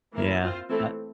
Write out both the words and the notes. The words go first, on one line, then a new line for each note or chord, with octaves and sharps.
Yeah I
E3 A#3 E4 A#4
C4 F4 C5
E3 A3 C4 E4 A4